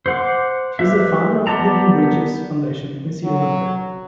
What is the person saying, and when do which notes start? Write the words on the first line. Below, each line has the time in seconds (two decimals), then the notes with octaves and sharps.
She is the founder of Building Bridges foundation in Sri Lanka.
0.06 C5 F#5 D6
0.79 G4 B4 E5
1.47 B3 G4 D5 A5 A#5
3.24 F#3